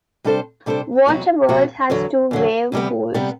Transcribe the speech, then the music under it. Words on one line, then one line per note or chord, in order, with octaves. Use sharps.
Water World has two wave pools.
C3 G3 D4 A4 C5
C3 G3 D4 A4 C5
E2 C3 F#3 B3 F#4
E2 C3 F#3 B3 F#4
E2 D3 F#3
E2 D3 F#3
D2 C3 G3 B3
C3 G3 B3